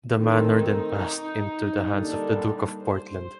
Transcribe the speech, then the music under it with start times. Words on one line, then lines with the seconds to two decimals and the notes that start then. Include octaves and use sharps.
The manor then passed into the hands of the Duke of Portland.
0.14 D#3 A3 C4 D#4
1.93 D3 G3 A#3 D4
2.83 C5